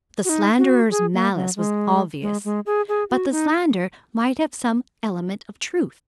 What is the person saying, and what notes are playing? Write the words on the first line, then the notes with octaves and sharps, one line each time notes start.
The slanderer's malice was obvious; but the slander might have some element of truth.
F#4
D#4
F#4
G#4
A#3
F#3
G#3
G#3
G#3
G#4
G#4
F#4
D#4